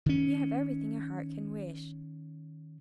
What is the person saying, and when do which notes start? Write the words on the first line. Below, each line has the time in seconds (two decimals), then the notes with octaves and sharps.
You have everything a heart can wish.
0.06 D#3 C#4